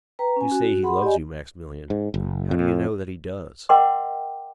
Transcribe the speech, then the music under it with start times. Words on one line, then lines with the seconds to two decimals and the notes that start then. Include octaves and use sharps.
You say he loves you, Maximilian; how do you know that he does?
0.19 B4 G5 A#5
0.36 C#4 G#5
0.52 F#4
0.82 G#4 F#5 B5 C6
1.02 G4 D5 D#5 G#5
1.90 G#2
2.14 F#1
2.51 F2
3.69 A#4 D#5 F#5 G5 C6 D6